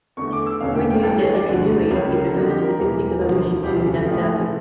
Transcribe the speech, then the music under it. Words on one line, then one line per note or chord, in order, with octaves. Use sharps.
When used as a kinnui, it refers to the Biblical allusion to Naphtali.
E2 D3 A3 C#6
D6
E6
E1 E2 D3 A3 C#4 F5
G5
G5
G1 G2 E3 A4
C#5
D5
E1 D2 D3 A3
C#2 C#3 G3 A#3 C#5
A#4
A4
F2 D3 F3 A#3 G4
G4
A#4
E1 E2 E3
E1 D2 D3 F3 A#3
E1 D2 C#3 E3 G3 G4
A4
A#1 A2 F3